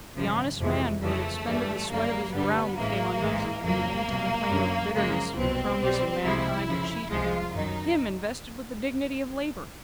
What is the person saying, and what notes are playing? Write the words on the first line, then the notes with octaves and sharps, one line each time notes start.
The honest man who had expended the sweat of his brow became uneasy, and began to complain with bitterness of the proneness of mankind to cheat him--him invested with the dignity of Labour!
G#1 F#2 C#3 F3
F2 C3 E3 G#3
F2 C#3 E3 G#3 A3
G2 E3 G3
F#2 D3 G3 A#3
G2 D3 G3 B3
A1 A2 E3 G#3 A#3
A1 G#2 E3 G#3
F2 C#3 F#3 A#3
C2 B2 F#3
F#2 D3 F#3
F#2 C#3 F3 G#3 A#3
C2 B2 F#3 C4
B1 B2 G3
C2 C3 F3 G#3 E4
F2 C#3 F3
C2 C3 F3 G#3 F4
F#2 D#3 F#3 D#4